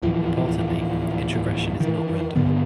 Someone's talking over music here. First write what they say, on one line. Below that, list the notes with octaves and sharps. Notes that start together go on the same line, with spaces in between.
Importantly, the introgression is not random.
D1 D#2 E3 F3
D#3 E3
G2 D3 D#3 B3